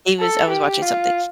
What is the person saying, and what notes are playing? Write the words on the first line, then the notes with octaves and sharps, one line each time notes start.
he was I was watching something,
A4
G4
F4